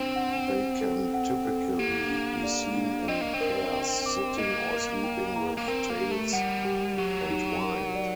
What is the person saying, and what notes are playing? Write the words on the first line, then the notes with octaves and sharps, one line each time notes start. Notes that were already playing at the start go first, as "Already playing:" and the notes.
They can typically be seen in pairs sitting or sleeping with tails entwined.
Already playing: C4 D4 C5
F#5
C5
A4
F#5
A4
A#3 G4
D4
D5
D4
C4 D#5
A#3
C4
A#4
G5
D6
A#3 D#5
A#4
G5
A#5
A#3
C4 A#4
A#3
G4
A3
G3 F#5
G4
F#3 G4
D#4
A#4
D5